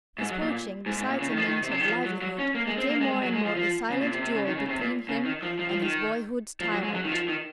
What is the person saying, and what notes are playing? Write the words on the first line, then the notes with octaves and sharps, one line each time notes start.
His poaching, besides a means of livelihood, became more and more a silent duel between him and his boyhood's tyrant.
G#2
F#3
A#2
G#2
G#2
A#2
C#3
D#3
F3
D#3
C3
C#3
D#3
F3
F#3
F#3
C#4
A#3
G#3
C4
A#3
G#3
G#3
F#3
G#3
F3
F3
C#3
A#2
C3
C3
C#3
D#3
C#3
C3
A#2
C#3
D#3
F3
F3
F3
D#3
F3
F#3
G#3
F#3
D#3
F3
D#3